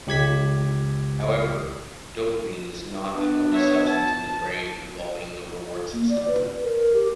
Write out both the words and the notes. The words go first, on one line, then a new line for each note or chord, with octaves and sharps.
However, dopamine is not the only substance in the brain involving the reward system.
C#2 G4 G#6 B6
B3 D4
C#5 E5
A5
A#3
D5
B4
A#4
G4